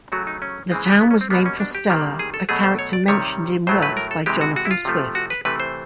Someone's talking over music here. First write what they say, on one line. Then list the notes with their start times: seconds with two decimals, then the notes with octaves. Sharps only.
The town was named for Stella, a character mentioned in works by Jonathan Swift.
0.12 C#3 F#3 A3 F#4
0.27 D#4
0.42 C#4
0.71 C#3 E3 G#3 C4
0.86 B3
1.01 B3
1.11 C#4
1.21 C4
1.30 B2 G3 A#3 B3
1.46 C#4
1.60 D4
1.75 G4
1.90 C3 D#3 G3 A#3
2.19 G#4
2.34 A4
2.49 B2 F#3 A3 G#4
2.63 C5
2.79 C#5
2.93 D5
3.08 C3 D#3 G3 C#5
3.67 A2 F#3 A3 C5
3.83 B4
3.97 A#4
4.11 A4
4.26 C3 E3 G#3 G4
4.41 F#4
4.56 F#4
4.65 E4
4.71 F4
4.85 C3 F3 A3
5.15 F#4
5.30 B4
5.45 C3 E3 A3 B4
5.60 C5